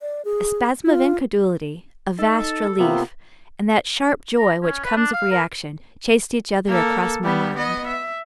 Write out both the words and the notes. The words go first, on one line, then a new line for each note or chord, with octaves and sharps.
A spasm of incredulity, a vast relief, and that sharp joy which comes of reaction chased each other across my mind.
D5
G#4
F4
D#4 A4 A5
C3 A#3 B3 F4 E5
A#5
C#4
B4
D4
F5
A#4
A#3 A4
G3 B3
B3 D#5
E5